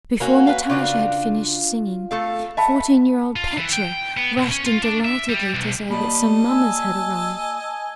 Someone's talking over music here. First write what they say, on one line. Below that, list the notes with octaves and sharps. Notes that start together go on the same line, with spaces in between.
Before Natasha had finished singing, fourteen-year-old Petya rushed in delightedly, to say that some mummers had arrived.
A#3 C#4 F#4
B4 F5
C#3 D4 F4 F#4
A3 A4 F5
D#5 E5 F#5 A5 B5
F4
E3
G5
B3
B2
C#4
F4
D4
E5
G3
B1
A#3 G4 D5 D#5 A5 B5
G#5 E6